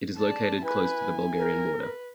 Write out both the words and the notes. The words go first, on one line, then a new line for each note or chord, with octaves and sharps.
It is located close to the Bulgarian border.
D5 A5
E4 B4 G#5
A#4
B4